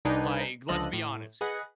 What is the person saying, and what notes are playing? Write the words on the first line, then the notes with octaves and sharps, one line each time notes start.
Like, let's be honest here.
C2 D4 D#4 B4 G5 G#5
C#2 D3 F3 A4 D#5 F#6
A2
G#4 B4 D#5 F#5